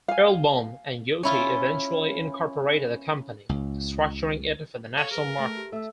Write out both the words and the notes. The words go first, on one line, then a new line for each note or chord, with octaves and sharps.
Erlbaum and Youtie eventually incorporated the company, structuring it for the national market.
F5 G#5
C#4 E4 F4
C#2
A4 C#5 F5
G#4 A#4 B4 G7
A3
G4
A3 A4 E5 E6